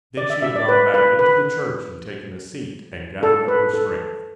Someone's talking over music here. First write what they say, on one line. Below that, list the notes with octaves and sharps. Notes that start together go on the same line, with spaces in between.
Then she had gone back into the church and taken a seat, and gathered up her strength.
D5
E5
E5
D5
B4
B4
B4
A4
B4
A4